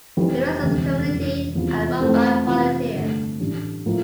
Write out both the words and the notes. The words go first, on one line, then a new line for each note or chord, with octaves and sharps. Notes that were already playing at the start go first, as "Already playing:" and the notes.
The Residents' Committee are run by volunteers.
F1 F2 E3 G3
E1 D2 C3
F1 F2 E3
E1 E2 C3 F3
F2 E3 A3 C4
F2 C3 E3 A#3 F4
G2 D3 A3
A1 A2 G3 D4
A2 F3 A#3